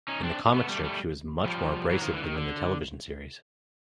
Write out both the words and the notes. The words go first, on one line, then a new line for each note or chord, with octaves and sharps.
In the comic strip, she was much more abrasive than in the television series.
C#4 D#4
C4 D4
A3 B3
G3 A3
G3 A3
F3 G3
E3 F#3
D#3 F3
D3 E3
D#3
D3